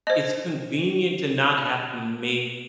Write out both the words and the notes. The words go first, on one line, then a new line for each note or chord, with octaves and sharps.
it's convenient to not have to make
C5 D#5